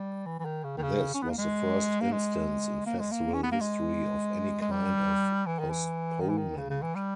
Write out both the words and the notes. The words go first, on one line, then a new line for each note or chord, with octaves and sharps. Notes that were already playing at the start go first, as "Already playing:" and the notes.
This was the first instance in festival history of any kind of postponement.
Already playing: G3
E3
E3
D#3
C#3
D#3
C#3
C#4
B3
A#3
G#3
A#3
G#3
A#3
G#3
A#3
C#4
B3
A#3
G#3
G#3
G3
E3
D#3
E3
D#3
E3
D#3
C#3
C#3
E3
G3